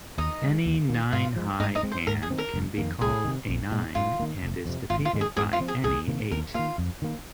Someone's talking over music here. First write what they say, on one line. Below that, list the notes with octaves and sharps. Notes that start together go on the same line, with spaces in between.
Any nine-high hand can be called "a nine", and is defeated by any "eight".
D#2 D#4 D#5
D#3
G#3
D#2
D#3 A#3
G#2 F4 F5
F3 G#3
G#2 D#4 D#5
D#4 D#5
G#3 C4
C5
G#2 A#4
G#4
D#3 C4
A#4
F1
F2 D#3 A#3
C2 G#4
C3 D#3
A#1
A#2 G#3
G#2 F4
D#3 A#3
F1
F2 C3
G#1 F4
F4
G#2 D#3 G#3
G#4
G#2 G#4
F4
F3 C4
G#4
C2 G#4
C3 D#3 A#3
D#2 A#4
D#3 A#3 F4 F5
F2
D#3 A#3